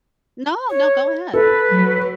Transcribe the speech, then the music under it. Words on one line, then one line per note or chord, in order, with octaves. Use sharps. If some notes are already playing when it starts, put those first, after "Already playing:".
No, no, go ahead.
C#5
A4 B4
F#3